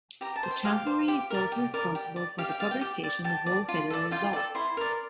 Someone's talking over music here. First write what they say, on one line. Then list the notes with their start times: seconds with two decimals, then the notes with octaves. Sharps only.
The chancellery is also responsible for the publication of all federal laws.
0.21 G4 A#5
0.36 A5
0.43 C5
0.51 G5
0.65 G4 F5
0.86 C5
1.08 G4
1.30 A#4 D5
1.52 G4
1.74 A#4 D5
1.95 G4
2.16 D5
2.38 G4 F5
2.49 G5
2.60 D5 F5
2.71 G5
2.81 G4
3.03 D5
3.24 G4 A5
3.46 D5
3.68 F4
3.90 A4 D5
4.11 F4 G5
4.33 A4 D5
4.55 E4 C6
4.77 A#4 D5